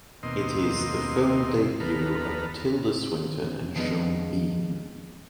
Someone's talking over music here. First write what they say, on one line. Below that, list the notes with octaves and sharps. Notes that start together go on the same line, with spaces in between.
It is the film debut of Tilda Swinton and Sean Bean.
D#2 B2 A#3 C4 D#5 C6
D#2 B3 A4 B4 A#5 F6
D#3 F3 G#3 B3 D4 D#4